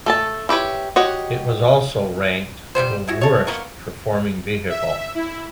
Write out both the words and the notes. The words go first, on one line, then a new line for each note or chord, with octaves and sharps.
It was also ranked the "Worst Performing Vehicle".
A3 A4 A5
E4 G4 B4 C#5
F#4 G4 C#5 D#5 F#5
G3 G#3 B3 C5
E3 E4 F#4
A4 C#5
A#3 B3 A#4 C#6
E5
E4